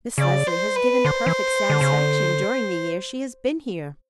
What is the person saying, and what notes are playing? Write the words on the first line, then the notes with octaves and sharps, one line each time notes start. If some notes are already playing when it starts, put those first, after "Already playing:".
Miss Leslie has given perfect satisfaction during the year she has been here.
C#3 D5
C5
B4
D3 C5
E3
D3
C#3
D3